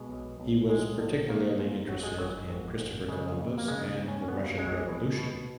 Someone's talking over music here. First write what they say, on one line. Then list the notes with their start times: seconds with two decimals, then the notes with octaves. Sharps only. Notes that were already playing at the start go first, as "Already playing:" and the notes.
He was particularly interested in Christopher Columbus and the Russian Revolution.
Already playing: B2 G#3
0.09 B1
0.40 B1
0.69 G#2 G#3
0.99 A#1
1.29 D#3 A#3
1.59 G#2
1.88 G#1 F#3
2.03 G#3
2.18 G#1 F#3
2.34 G#3
2.48 G#1
2.78 G#1
3.08 C#3 G#3
3.38 D#2
3.58 A#3
3.68 C#3 G#3
3.98 D#2
4.08 C#4
4.22 C#4
4.28 B2 B3
4.43 A#3
4.58 B1 G#3
4.67 F#3
4.73 G#3
4.88 B2
5.18 B2